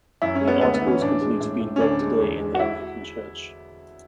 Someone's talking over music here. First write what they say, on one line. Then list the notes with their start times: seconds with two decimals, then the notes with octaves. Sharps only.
The Articles continue to be invoked today in the Anglican Church.
0.22 F#2 E4
0.35 C#4
0.41 G#3
0.48 B3
0.61 D2 B3
0.74 B3
0.81 E3
0.87 C#4
1.01 A2 D4
1.21 G#3
1.41 A2
1.60 A2
1.76 C#4
1.80 D2 D4
2.00 G#3
2.20 E2
2.40 G#3
2.55 F#4
2.59 E4